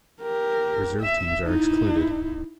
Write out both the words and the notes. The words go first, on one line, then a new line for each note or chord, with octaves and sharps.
Reserve teams are excluded.
G4 A#4
E5
D#4 E4